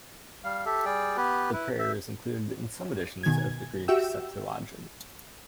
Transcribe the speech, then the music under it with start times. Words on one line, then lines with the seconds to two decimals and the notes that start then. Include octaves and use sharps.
The prayer is included in some editions of the Greek Septuagint.
0.44 G3 F5
0.66 G4 A4 E5
0.85 G3 G#4 D5 G5
1.17 B3 G4 B4
1.53 E4 B4
1.79 E5
3.23 B2 D#3 G#5 G#6
3.88 F#4 G4 E5 G5 E6